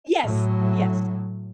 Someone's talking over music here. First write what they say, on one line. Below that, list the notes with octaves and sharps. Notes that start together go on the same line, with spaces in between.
Yes. Yes.
A2 F#3